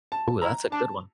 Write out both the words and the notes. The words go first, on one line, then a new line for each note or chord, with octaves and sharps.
Ooh, that's a good one.
A5
E4 A#5
D4 A5